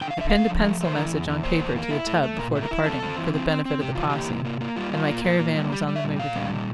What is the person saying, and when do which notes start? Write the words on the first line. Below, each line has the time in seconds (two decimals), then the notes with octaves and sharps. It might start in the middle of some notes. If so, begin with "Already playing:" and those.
I pinned a penciled message on paper to the tub before departing, for the benefit of the posse, and my caravan was on the move again.
0.01 D3 G5
0.11 F5
0.17 D3 E5
0.30 D3 F5
0.49 F3
0.64 A3
0.81 A3 C5
0.96 E3 A#4
1.12 E2
1.28 E2
1.44 A#3 C5
1.60 E2
1.76 A#3
1.91 E4
2.07 A3
2.23 A3
2.39 A#2 A#4
2.55 A3
2.62 A#4
2.71 E4
2.86 C4 A4
3.02 C4
3.18 E3
3.33 C4
3.49 C4
3.65 C4
3.81 C3 G4
3.95 E3 F4
4.09 A#3 G4
4.29 C3
4.45 A#3
4.61 A#3
4.76 G3 F4
4.93 F4
5.09 A#3
5.24 F4
5.40 A#3
5.55 G3
5.72 G3 G4
5.88 G3
5.96 E5
6.04 A#2
6.19 A#2 F5
6.36 G3
6.50 A#2